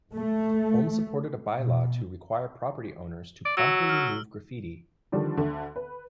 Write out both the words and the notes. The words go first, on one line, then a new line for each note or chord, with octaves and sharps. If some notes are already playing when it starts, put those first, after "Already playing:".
Holmes supported a bylaw to require property owners to promptly remove graffiti.
A3
B2
D5
F#3 E6
F6
D3 D#3 F3 G3 D4
D2 D3
B4